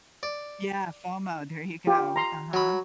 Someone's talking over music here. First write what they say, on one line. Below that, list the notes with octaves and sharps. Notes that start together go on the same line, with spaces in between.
Yeah, FOMO, there you go, uh-huh.
D5
F4 G4
A#5 C6
F#3 B5